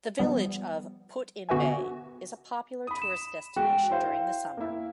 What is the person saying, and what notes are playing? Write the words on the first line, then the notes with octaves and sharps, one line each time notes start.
The village of Put-in-Bay is a popular tourist destination during the summer.
F3 G3 B3
D3 B3 F#4 B4 E5 G#5
B5 D#6
E7
G#3 F#4 G5
E4 C5 F5
A#3 E4